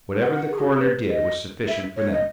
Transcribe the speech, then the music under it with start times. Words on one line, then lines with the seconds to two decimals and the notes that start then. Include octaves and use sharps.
Whatever the coroner did was sufficient for them.
0.21 F#5
0.35 F#5
0.50 G#4
0.59 F#4
0.68 G#4
0.79 B4
1.10 D#5
1.68 E5
1.97 C#5
2.12 D#5